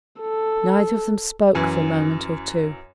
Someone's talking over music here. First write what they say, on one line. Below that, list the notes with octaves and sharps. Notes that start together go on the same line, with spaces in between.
Neither of them spoke for a moment or two.
A4
F#2 E3 G#5